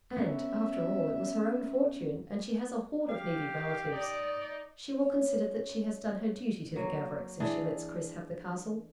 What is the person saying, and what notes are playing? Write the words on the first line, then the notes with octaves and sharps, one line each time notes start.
And, after all, it was her own fortune, and she has a horde of needy relatives. She will consider that she has done her duty to the Gavericks if she lets Chris have the Castle.
B3 C#4 A#4 E5
G4 F5
D#4 D5 D#5
C#4
F#3 A#3
E3 D4 G#4